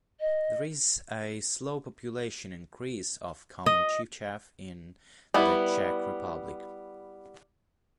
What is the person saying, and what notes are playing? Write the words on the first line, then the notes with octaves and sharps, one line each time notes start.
There is a slow population increase of common chiffchaff in the Czech Republic.
D#5
D#5
G3 B3 E4